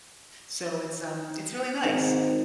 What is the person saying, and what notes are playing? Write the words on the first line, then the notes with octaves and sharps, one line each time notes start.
So it's, um it's really nice,
G#1